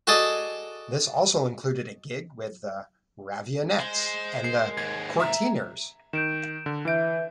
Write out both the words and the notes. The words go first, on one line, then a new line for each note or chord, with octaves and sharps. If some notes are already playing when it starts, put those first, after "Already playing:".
This also included a gig with The Raveonettes and The Courteeners.
F#4 G#4 A4 D5 D#5
G#3 C5
A#4 C7
D#2 G#2 G#6
E5 A#5
D#3 G6 D7 E7
D3
E3 B4 E5 G6 D7